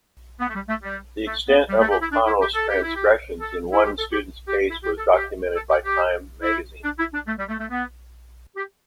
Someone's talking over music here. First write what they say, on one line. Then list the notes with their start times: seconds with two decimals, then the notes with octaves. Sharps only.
The extent of O'Connell's transgressions in one student's case was documented by "Time" magazine.
0.40 B3
0.48 A3
0.54 G3
0.68 A3
0.83 G3
1.26 A3
1.47 B3
1.68 G3
1.79 A3
1.90 G4
2.01 E4
2.11 D4
2.26 E4
2.40 G4
2.55 A4
2.68 G4
2.81 E4
2.95 G4
3.40 A4
3.72 E4
3.83 G4
3.98 A4
4.12 G4
4.48 G4
4.69 E4
4.83 G4
4.98 A4
5.12 G4
5.55 A4
5.70 G4
5.84 G4
6.41 E4
6.84 D4
6.98 E4
7.13 D4
7.27 A3
7.38 G3
7.48 A3
7.59 A3
7.70 B3
8.56 G4